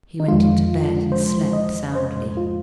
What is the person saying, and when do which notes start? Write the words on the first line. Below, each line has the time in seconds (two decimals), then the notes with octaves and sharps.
He went in to bed and slept soundly.
0.20 D#4
0.28 F2 F3 G#3 F4
1.12 C5
1.53 D#5
1.95 C5
2.37 F4